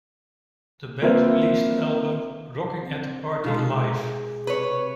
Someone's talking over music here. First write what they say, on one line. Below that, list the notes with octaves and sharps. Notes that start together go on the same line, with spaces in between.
The band released the album Rocking At The Party Live!
A#3 C4 F4 B4 C5 E5
C4
B2 G#3 D#4 F4 G#4 A4
C3 B4 C#5